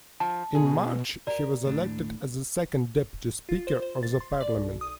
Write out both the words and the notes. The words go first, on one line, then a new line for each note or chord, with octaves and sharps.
In March he was elected as the Second Deputy Speaker of the parliament.
F3 A5
B2 G#4
F#4 G4 A#4 D5 A#5
D#2 A2 D4
F4
C5
C5
A6
C6
D5
B1
D#6